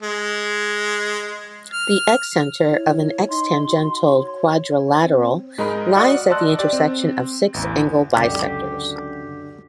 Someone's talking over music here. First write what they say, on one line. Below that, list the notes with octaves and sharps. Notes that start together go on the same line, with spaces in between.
The excenter of an ex-tangential quadrilateral lies at the intersection of six angle bisectors.
G#3
F6
E4 C#5
D#4 C6
F#4
C#5
C4
G#2 G#3 D#4 A#4 D#5 B5
F#4 D5 F#5 D#6 F6
D5 D#5 A5 C6 E6 F#6
G4 D5
C4
A1 E2
C#2 F#2 D3 F#4 G4